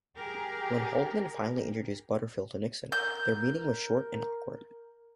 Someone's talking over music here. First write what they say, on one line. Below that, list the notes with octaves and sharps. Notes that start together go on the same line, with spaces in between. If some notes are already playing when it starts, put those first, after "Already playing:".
When Haldeman finally introduced Butterfield to Nixon, their meeting was short and awkward.
G4 G#4 A#4
A#4 G6